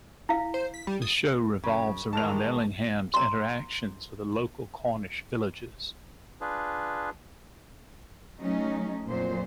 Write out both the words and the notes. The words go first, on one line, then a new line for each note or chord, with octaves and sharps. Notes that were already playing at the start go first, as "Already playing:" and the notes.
The show revolves around Ellingham's interactions with the local Cornish villagers.
E4 F5
C5
B6
G3
D#6
F#2 C#3
D#3 E3 G#3 A5 F7
A#5 C6
D4 F4 G#4 B4
F#3 A3 C#4 D#4
F2 A#2 F#3 C5